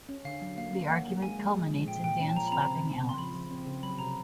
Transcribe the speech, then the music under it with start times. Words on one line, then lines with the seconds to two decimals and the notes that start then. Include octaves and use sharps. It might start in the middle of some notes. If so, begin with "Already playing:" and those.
The argument culminates in Dan slapping Alice.
0.09 C#4
0.25 D3 F5
0.41 F#3
0.57 A#3 F5
0.73 C#4
0.90 A#3 F#5
1.06 A#3
1.22 G#3 G#5
1.39 G#3
1.54 F3
1.71 G#3
1.87 A#2 G5
2.03 A#2 G5
2.20 C#4
2.28 A5
2.36 F3 A#5
2.47 B5
2.52 C4 A#5
2.69 C#3
2.85 C4
3.01 C#3
3.09 C6
3.18 F3 B5
3.34 F3
3.50 C4
3.66 C#3
3.83 F#3 B5
3.99 C3 A#5